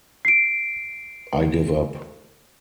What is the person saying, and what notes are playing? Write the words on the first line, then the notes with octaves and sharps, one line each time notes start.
I give up.
C7 D7